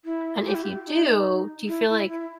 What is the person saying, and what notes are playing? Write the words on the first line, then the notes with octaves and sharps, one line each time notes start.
And if you do, do you feel like
E4
G4
E4
G4
D#4
E4
E4
E4